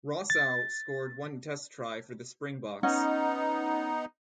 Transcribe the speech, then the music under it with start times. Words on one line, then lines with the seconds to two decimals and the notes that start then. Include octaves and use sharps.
Rossouw scored one test try for the Springboks.
0.30 A6
2.83 B3 C#4 D#4 D#5 F#5